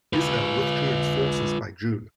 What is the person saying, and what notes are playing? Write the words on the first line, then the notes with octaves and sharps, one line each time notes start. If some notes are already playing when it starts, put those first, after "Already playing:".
Israel withdrew its forces by June.
F4 B4